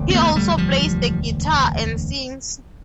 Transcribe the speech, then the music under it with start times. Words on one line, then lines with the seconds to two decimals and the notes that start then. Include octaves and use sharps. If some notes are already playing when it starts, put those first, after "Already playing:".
He also plays the guitar and sings.
Already playing: E1 D2 C3
0.10 C4
0.14 A3 B3
0.36 G3 A3
0.57 F3 G3